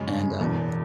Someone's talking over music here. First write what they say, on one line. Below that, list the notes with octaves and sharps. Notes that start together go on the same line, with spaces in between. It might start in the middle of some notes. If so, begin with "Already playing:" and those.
And, um
Already playing: F#2 C#3 G#3
E1 E2 B2